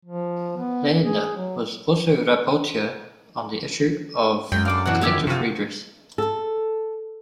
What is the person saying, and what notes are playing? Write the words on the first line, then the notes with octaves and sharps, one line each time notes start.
Lehne was also rapporteur on the issue of "Collective Redress".
F3
B3
G#4
F#3
F#2 G#3 G5
D4 A4 F5 D6
B2 E3 D4 F#4 F#5
D3 D#3 F3 D4 E4 G4
C3 F4 F#4
A4